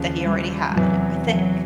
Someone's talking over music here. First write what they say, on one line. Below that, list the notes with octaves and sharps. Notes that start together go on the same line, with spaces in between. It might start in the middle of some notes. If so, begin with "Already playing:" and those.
that he already had, I think.
Already playing: D#2 C#3 F3
G3
E2 C3 E3 F#3
F#3